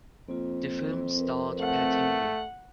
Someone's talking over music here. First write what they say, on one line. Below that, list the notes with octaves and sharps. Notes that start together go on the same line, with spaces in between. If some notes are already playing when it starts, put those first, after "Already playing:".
The film starred Pat Hingle.
F2 A#3 F4
C4 A#4 B4
A3 F#5